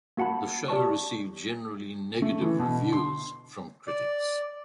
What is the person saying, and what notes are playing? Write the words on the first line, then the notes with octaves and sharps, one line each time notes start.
The show received generally negative reviews from critics.
A#3 F#4 F#5 A5 B5
G4 D5 A5 C#6
A3
E3
B2
D3
C6
D5